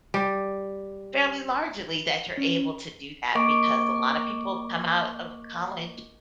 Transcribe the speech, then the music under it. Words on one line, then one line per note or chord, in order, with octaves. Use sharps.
fairly largely that you're able to do that because a lot of people come out of college
G3
C#4
A#3 A#4 D#5 C#6 D6 D7